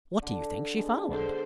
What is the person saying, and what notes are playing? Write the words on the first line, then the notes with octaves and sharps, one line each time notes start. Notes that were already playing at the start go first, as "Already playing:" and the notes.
"What do you think she found?"
D3 D5
G#3 B3 D4
D3 C5